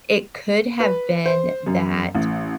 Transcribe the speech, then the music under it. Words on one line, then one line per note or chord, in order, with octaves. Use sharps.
it could have been that
B4
C5
F#2
A1